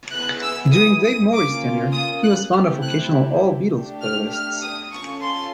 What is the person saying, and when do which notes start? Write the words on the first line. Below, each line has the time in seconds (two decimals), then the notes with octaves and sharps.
During Dave Morey's tenure, he was fond of occasional all-Beatles playlists.
0.13 B3 E4 G#4 F#6
0.42 E6
0.73 D#6
1.03 D#6
1.32 A#3 C#4 F4 D6
1.92 D#6
2.23 F#6
2.52 A3 C4 E4 G4 F6
2.82 F#6
3.72 A3 D4 G4
4.01 F6
4.31 F6
4.62 D#6
4.93 C#4 F4 A4 C#6
5.21 C6